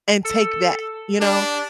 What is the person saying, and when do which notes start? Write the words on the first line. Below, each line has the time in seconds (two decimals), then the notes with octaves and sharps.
And take that, you know,
0.25 A4
1.21 D4 G4